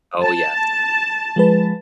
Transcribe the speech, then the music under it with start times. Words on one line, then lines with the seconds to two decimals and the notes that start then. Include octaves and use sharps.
Oh, yes.
0.22 A5
1.36 F3 G#3 B4